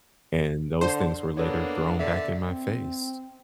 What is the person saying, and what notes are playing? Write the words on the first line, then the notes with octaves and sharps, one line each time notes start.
and those things were later thrown back in my face.
D3 C5
A#3 B3 D4 A4 C#5
D3 E5
C4